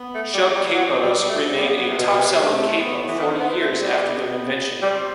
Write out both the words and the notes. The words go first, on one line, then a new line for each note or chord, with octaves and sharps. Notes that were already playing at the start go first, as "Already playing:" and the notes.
Shubb capos remain a "top-selling" capo forty years after their invention.
Already playing: B3
A3
G3
G3
F#3 C4
G3
G3
A3
G3 B3
F#3
C3
B2
B2
C3
A3
B3
E3
D#3 C4
B3
A3
G3
B3
G3 C4